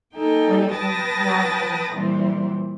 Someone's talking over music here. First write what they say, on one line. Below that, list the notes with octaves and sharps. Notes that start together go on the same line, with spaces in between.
when it comes to that, an
A#3 D#4 A4 G5 G#5
B4 G5 A5 D#6 A6 A#6
A#2 E3 G3 C4